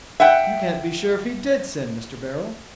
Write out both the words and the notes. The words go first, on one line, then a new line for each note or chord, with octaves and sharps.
"You can't be sure if he did sin, Mr. Beryl."
E5 F#5 G5